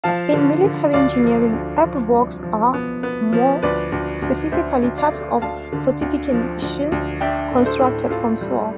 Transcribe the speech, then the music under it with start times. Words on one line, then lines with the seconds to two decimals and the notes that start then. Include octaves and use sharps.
In military engineering, earthworks are, more specifically, types of fortifications constructed from soil.
0.04 F3 F5 A5
0.34 D3
0.64 D3
0.93 D2 D5 F5
1.24 F3
1.53 D2
1.84 F3
2.13 C2
2.43 F3
2.74 B3
3.03 B3
3.33 F3
3.62 D2 B4 D5
3.92 D2
4.22 D2
4.52 D2 C5 E5
4.83 D2
4.98 D5 F5
5.12 A3
5.42 D2 F5 A5
5.72 D3
6.01 D2
6.32 F3
6.62 D2
6.92 D2
7.21 D4 E5 G5
7.51 A2
7.66 A4 C5
7.81 A2
8.10 A2 F4 A4
8.41 G3